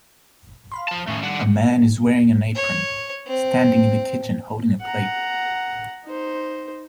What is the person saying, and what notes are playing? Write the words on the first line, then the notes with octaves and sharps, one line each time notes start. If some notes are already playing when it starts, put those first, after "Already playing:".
A man is wearing an apron, standing in the kitchen holding a plate.
F5 B5 C6
F3 A5
F2 A2 D#3 A3 C#4
D#3 G3 D4 F#5
C#5
C4
F#5 A#5
D#4 C5